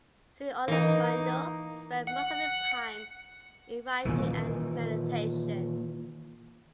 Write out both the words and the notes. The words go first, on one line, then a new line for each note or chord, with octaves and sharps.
Sri Aurobindo spent most of his time in writing and meditation.
E3 A#3 D#4
F#5
A#2 D#3 E3